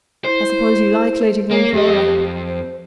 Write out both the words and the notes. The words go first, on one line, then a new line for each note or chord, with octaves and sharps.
"I suppose you like Lady Glencora?"
E4 C5
A#3 C#5
F2 G4 D#5
C5